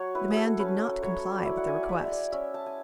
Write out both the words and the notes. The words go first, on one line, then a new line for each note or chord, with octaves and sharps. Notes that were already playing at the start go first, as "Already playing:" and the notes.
The man did not comply with the request.
Already playing: F#3 C#5 F#5
E4 B4
G#4
A4
C#4 B4
F#3 C#5
D5
E4 E5
F#5
G#5
D5
G#3 E5
E5
D5
C#4 E5
A5
G#5